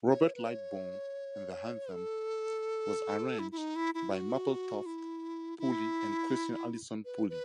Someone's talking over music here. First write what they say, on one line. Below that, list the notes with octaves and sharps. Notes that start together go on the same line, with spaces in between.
Robert Lightbourne, and the anthem was arranged by Mapletoft Poulle and Christine Alison Poulle.
C#5
B4
C#5
A4
E4
E4
D#4
E4
E4
F#4
E4
E4
B4
B4